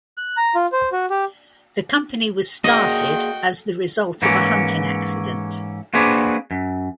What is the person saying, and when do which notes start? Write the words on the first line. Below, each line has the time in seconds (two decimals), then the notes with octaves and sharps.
The company was started as the result of a hunting accident.
0.18 F#6
0.37 A#5
0.55 F4
0.72 C5
0.92 F#4
1.10 G4
2.64 A#3 F#4 G#4 D#5 F#5 G5
4.22 G#2 E3 A#3 C#4
5.94 A#3 C4 D4 F#4 G#4 B4
6.51 F#2